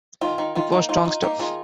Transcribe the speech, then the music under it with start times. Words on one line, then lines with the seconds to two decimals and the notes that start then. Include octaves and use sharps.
It was strong stuff.
0.21 D#3 F4
0.38 D#3
0.55 D#3 F4
0.72 A#3 D#4
0.89 D#4 F4
1.05 D#4
1.22 A#3 D#4 G4
1.39 D#3 F4 G#4